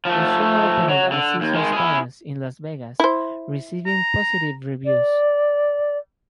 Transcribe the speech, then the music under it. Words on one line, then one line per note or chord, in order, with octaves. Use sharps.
The show opened at Caesars Palace in Las Vegas, receiving positive reviews.
F3 A3
F#3
D3
D#2
D#3 G#3
E4 G#4
E4 C5
A#5
D5